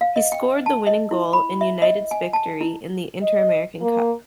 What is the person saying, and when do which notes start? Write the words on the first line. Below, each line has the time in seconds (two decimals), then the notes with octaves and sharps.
He scored the winning goal in United's victory in the Interamerican Cup.
0.01 F5
0.16 D#5
0.32 G5
0.66 A5
0.87 D#5
1.11 E4
1.33 B5
1.61 E5
1.82 D#5
2.11 G#5
2.33 A5
2.61 E4
3.22 D#5
3.81 A#3